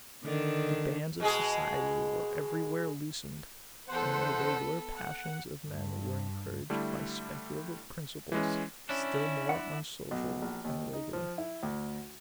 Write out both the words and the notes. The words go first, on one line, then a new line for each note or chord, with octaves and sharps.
The bands of society were every where loosened; and the irregular passions of men were encouraged by speculative principles, still more unsocial and irregular.
D3 D#3 D4
B2 G#3 G#4
E2 B3 A4 C5 F#5
F#5
G2
D3 G3 A3 E4
E3 G#3 C#4
C#4 D4 E4
F#5
B1
A#1
D#2
D#4
F3
E4
D2